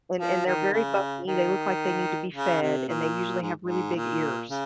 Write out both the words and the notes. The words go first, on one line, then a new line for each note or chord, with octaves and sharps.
and and they're very bumpy, they look like they need to be fed and they usually have really big ears.
F3
D#3
C#3
D#3
C#3
C3
A#2
G#2
G#2
A#2
C#3